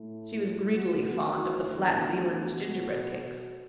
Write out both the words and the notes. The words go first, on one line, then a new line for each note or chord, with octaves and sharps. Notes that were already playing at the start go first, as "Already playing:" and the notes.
She was greedily fond of the flat Zealand gingerbread cakes.
Already playing: A2 A3 E4
E2 D3 A3 F#4
E2 E3 A3 D4 F#4
B2 B3 F#4